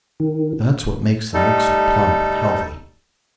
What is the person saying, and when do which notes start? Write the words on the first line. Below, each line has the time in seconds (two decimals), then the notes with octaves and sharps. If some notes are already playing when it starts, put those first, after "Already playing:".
That's what makes them look so plump and healthy.
0.20 D#3
1.34 G3 A3 D#4 A4